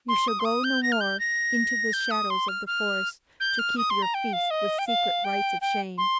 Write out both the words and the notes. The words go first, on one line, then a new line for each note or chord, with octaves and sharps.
You shall go no more into the shadows of the forest to keep your feasts with secret rites of shame.
C6
D#6
C6
D#6
G6
A#6
F6
G6
A#6
G6
D#6
C6
F6
F6
G6
F6
D#6
C6
A#5
G5
F5
D#5
G5
F5
G5
G5
C6